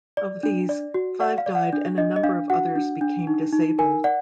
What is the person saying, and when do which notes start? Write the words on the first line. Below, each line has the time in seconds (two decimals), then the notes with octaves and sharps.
Of these, five died and a number of others became disabled.
0.17 D5
0.43 D4
0.69 D5
0.94 F#4
1.20 D5 F#5
1.38 F5
1.46 D5
1.55 F#5
1.73 D4
1.98 D4 D#5
2.16 D#5
2.24 D4 F5
2.50 F#4 F#5
2.76 D4
3.01 D4
3.27 D#4
3.53 D#4
3.79 A#4 G#5
4.04 D5 F#5